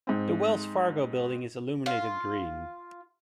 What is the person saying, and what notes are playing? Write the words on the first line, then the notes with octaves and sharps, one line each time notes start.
The Wells Fargo Building is illuminated green.
G#2 C4
F4